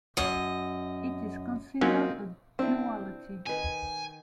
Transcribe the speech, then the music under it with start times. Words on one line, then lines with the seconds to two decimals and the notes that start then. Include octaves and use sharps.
It is considered a duality.
0.17 F#2 D#5
1.81 F#3 A#3 C4 C#4 D#4 F4
2.59 C4 D4 E4
3.47 D#3 D#4 B4 G#5